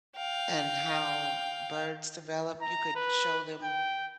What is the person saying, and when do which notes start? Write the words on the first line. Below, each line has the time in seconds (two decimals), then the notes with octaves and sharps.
and how birds develop, you could show them
0.16 F5 G5
2.61 A#5
2.96 B4
3.63 G5